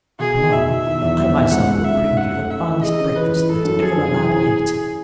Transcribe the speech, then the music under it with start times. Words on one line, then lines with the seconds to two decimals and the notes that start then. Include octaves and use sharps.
To-morrow I myself will bring you the finest breakfast that ever a lad ate.
0.19 B2 G#4
0.36 D#4
0.52 B2 E5
0.69 B2
0.85 D#3
1.02 E2
1.18 D#3
1.34 D#3
1.51 C#2 F#5
1.68 C#2
1.84 C#3 E5
2.01 D#4
2.17 C#4 F#5
2.33 A3
2.50 C#4 E5
2.66 E3
2.83 G#4 D#5
3.00 C#4
3.16 E3 B4
3.32 E3
3.49 E3 A4
3.65 F#2
3.82 F#4 G#4
3.98 F#2
4.15 E3
4.31 E4